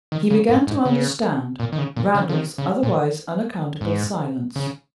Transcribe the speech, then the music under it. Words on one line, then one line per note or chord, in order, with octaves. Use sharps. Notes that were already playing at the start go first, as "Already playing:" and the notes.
He began to understand Randal's otherwise unaccountable silence.
D#3
C#3
G#2
G#2
C#3
A#2
D#3
C#3
A#2
C#3
F3
D#3
C#3
A#2
G#2
C#3